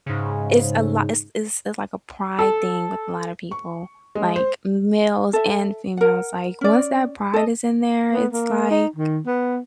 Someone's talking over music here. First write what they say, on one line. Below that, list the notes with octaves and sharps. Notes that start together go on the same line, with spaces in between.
it's a lot it's it's, like, a pride thing with a lotta people, like, m males and females, like once that pride is in there, it's, like
G#2 C#3
A4
C#6
G#3
C5
A4 E5
A#4 F#5
C#4 D5
A4 D#5
B3
A#3
D#4
D#3
B3